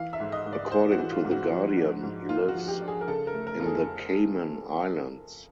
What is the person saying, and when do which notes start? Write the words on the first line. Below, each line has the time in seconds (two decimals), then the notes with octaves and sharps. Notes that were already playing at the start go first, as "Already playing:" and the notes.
According to The Guardian he lives in the Cayman Islands.
Already playing: E3 F5
0.13 E5
0.20 G#2
0.32 D#5
0.46 G#2
0.53 D5
0.72 G#3 C5
0.92 F#4
0.98 E3
1.12 F4
1.25 G#2
1.31 F#4
1.50 F3
1.77 D4
2.03 G#2
2.29 A#3 F4
2.48 F#4
2.55 F3
2.68 G4
2.81 D4
2.88 G#4
3.01 A#4
3.08 C#3 A4
3.27 A#4
3.34 A3
3.47 A#4
3.60 F2 A4
3.66 G#4